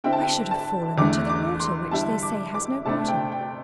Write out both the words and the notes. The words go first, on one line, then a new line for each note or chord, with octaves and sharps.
I should have fallen into the water, which they say has no bottom.
D3 C4 E4 G5
A5
G5
A5
E2 D3 A3 D6
D6
C6
D3 G3 E4 A5
D6
D6
C3 A3 D4 A5
G5
G5